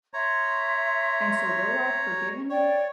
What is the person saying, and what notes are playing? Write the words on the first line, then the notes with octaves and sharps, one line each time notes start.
and so though I've forgiven,
C#5 E5 A#5 C6
C#5 D5 G5